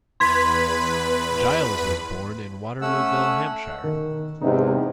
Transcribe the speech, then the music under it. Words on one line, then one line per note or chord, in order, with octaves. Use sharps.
Giles was born in Waterlooville, Hampshire.
E2 B4 B5 C6 G#6 B6
A3 C#4 F#5 E6
D#3
E2 G#2 C3 D#4